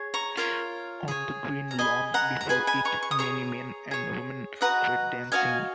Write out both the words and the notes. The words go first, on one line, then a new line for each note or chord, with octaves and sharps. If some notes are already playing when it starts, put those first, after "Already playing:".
On the green lawn before it, many men and women were dancing.
Already playing: G#4 C#5
A#5 C#6
F4 A#4 C#5
G#4 C#5
A#5
G#4 D#5 G#5 B5
F#5 A#5
A#5
G#4 B4 D#5 G#5 B5
G#5 B5
A#5 C#6
C#6
D#6
G#4 C#5 A#5 C#6
G#4 C#5
F#4 B4 D#5 F#5 A#5
F#4 A#4 D#5 F5 G#5